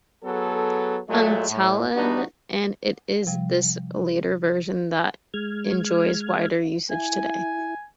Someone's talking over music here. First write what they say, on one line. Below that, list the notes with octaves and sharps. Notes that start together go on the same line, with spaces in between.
Untalan, and it is this later version that enjoys wider usage today.
F#3 B3 G#4 A4
A#2 F#3 G#3 A3
A2
E2 G3 B3 D4 D#4 F#4
C3 F3 G3
G#3 F6 G#6
E4 G#5